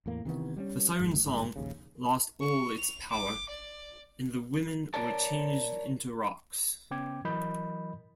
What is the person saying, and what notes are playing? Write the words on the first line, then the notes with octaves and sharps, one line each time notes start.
The Sirens' song lost all its power, and the women were changed into rocks.
E2 A2 A#3
C3 D#3 E3 B3
G3 B3 C#4
G#1 F2 G#2
G1 G#2
A#1 D#2 C#3
C#6
F7
D6
D5
A#4 C#5 D5 A5
C#3 B3 C#4 G5 D6 G#6
E3 F#3 A#4 D#5 B5 G6